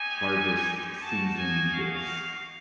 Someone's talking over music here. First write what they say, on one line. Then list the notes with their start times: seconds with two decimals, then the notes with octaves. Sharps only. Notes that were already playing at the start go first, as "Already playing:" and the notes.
harvest season bisque.
Already playing: C4 D#4 G4 G#5
1.00 A#3 D#4 F#4 A5
1.36 G#5
1.73 F5